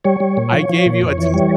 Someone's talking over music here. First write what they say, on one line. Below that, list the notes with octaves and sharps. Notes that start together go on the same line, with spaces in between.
I gave you a test
G3 C#5
G3
A#2
F3
F3
A#2
F2
E3
G3